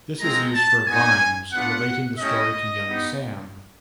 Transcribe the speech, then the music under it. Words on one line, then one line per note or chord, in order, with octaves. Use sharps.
This is used for Vimes relating the story to Young Sam.
G#3 C4 F4 A#5
A5
B3 D#4 F#4 G#5
B3 D4 F4 F#5
A3 C#4 E4 G4 D#5
B3 D#4 G4